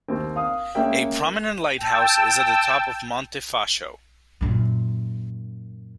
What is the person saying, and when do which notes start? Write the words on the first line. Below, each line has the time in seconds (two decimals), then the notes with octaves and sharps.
A prominent lighthouse is at the top of Monte Facho.
0.08 D#2 C4
0.36 F5 D#6
0.75 G#3 A#3 C#4 E5 G5
1.78 G5 A5 E6
4.41 F#2 A#2